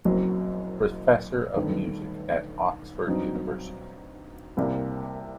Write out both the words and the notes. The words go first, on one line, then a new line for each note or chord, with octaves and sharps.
Professor of Music at Oxford University.
F#1 F#2 F#3 C4
G1 G2 D#3 A3
G2 F#3 C4 D#4
C2 C3 G3 A#3